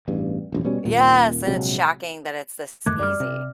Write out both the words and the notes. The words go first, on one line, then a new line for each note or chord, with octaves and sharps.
Yes, and it's shocking that it's this easy.
A1 E2 G2
E1 A#1 F#2
B2 G3 C#4
D#1 A#2
A#1 C3 F#3 G#3
F#2 D#3 A3 D6 F#6 G#6
F#2 G3 D5 D6 F6
C3